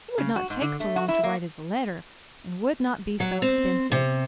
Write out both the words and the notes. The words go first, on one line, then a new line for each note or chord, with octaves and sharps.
It would not take so long to write as a letter, and would not be so expensive.
C#3
F#4
G#2
D3
A3
F#4
E4
A#3
F#3
C4
C3